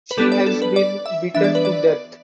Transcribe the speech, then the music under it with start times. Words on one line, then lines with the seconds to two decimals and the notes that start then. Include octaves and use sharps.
She had been beaten to death.
0.11 B4
0.17 G3 B3 D4 A4
0.32 D5
0.46 A4
0.62 B4
0.76 D5
1.06 E5
1.34 E3 B3 D4 E5
1.44 D5
1.55 B4
1.65 D5